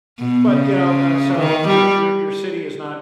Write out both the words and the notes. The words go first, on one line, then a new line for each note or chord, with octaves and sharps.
but, you know uh, so your your your city is not,
B2
C#3
D#3
G3